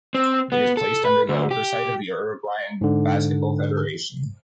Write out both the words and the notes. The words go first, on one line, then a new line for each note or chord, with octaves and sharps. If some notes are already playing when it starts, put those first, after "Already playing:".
It is placed under the oversight of the Uruguayan Basketball Federation.
C4
B3
A4
B4
D2
G4
G#2 D3